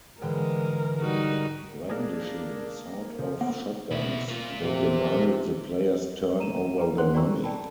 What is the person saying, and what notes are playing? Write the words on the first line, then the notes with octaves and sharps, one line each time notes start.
Brandishing sawed-off shotguns, they demanded the players turn over their money.
G#2 D3 E3 G#3 A#4 G5
G3 D#4 F#4
A#3 D4 G#4 A#4
C#3 F3
A#3 B3
B2 E4
A#3 F4
C3
A#5 D#7 E7
A4 B4 G5 A#5
A4 C5 F#5 C6 F#6
F#4 D5 G5 A#5 C#6 E6
D5 G5 A5 B5